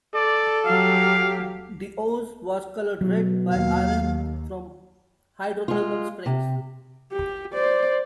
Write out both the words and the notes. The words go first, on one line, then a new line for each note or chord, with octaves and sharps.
The ooze was colored red by iron from hydrothermal springs.
A4 D5
F#3 G4 F5
B2 F#3
D#2 F5
G#3 F4
C3
G4
C5 D5